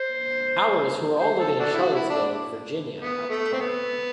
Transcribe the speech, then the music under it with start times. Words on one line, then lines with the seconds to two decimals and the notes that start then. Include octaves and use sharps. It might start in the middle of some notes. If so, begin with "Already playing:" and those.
Ours who were all living in Charlottesville, Virginia at the time.
Already playing: C5
1.20 C5
1.39 A4
1.60 D4 F#4 A4
1.74 E4
1.80 F#4
1.95 E4
2.10 D4
3.00 B3
3.30 A3
3.53 C4
3.60 B3